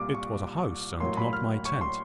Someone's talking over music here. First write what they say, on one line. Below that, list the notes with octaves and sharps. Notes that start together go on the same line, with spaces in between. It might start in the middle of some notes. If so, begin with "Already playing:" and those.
It was a house, and not my tent!
Already playing: C2 A#2 G3 D6
C#6
A1 A2 F#3 A#3 C6
B5
F6
C#6
C6